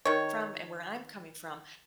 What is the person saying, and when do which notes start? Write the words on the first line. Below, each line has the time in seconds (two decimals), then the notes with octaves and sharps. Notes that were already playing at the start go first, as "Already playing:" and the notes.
from and where I'm coming from,
0.05 D#3 C#5